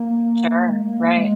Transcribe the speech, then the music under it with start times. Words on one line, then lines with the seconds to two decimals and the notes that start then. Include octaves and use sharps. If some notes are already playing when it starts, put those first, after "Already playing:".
Sure, right.
Already playing: A#3
0.68 G#3
0.82 A#3
1.16 G#3